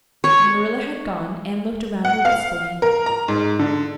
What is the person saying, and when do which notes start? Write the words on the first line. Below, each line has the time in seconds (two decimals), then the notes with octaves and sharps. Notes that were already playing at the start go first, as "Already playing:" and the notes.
When Marilla had gone Anne looked around her wistfully.
0.24 C#5
2.05 F#5
2.25 F5
2.82 A#4
3.06 A#5
3.28 G#2
3.59 D3